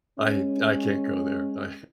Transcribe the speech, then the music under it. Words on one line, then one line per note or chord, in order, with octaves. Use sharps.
I I can't go there. I
G#3 C#4